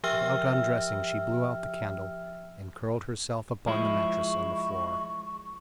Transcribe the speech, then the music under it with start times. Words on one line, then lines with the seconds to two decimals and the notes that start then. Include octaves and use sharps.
Without undressing she blew out the candle and curled herself upon the mattress on the floor.
0.04 F3 G4 E5 G5 E6 F6
3.67 F3 G#3 E4 C#6